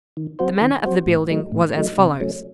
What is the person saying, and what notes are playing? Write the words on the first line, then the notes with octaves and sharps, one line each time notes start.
The manner of the building was as follows.
D#3
F#3 C4 F#4 C5
D#3
F#3 C4 F#4 C5
A2
F#3 A3 D#4
A2
F#3 A3 D#4
C3
F#3 A3 C#4